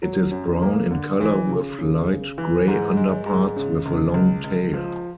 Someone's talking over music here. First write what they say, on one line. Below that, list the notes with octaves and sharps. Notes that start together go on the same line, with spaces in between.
It is brown in colour with light grey underparts with a long tail.
F#3
F#2
A#3
D3
E3
C#3
C#3
C#3
E3
G#2
G#3
G#2
C#3
C#2
C#2
C#2
F3